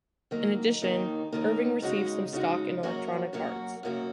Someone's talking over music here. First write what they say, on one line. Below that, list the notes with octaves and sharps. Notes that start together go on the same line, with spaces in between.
In addition, Erving received some stock in Electronic Arts.
D#3 F#3 A#3
D#2 D#3 A#3 D#4
D#2 D#3 A#3 D#4
C#3 G#3 D#4 F#4
C#3 G#3 D#4 F#4
F#2 F#3 A#3 F#4
F#2 F#3 A#3 F#4
F#2 C#3 A#3 F#4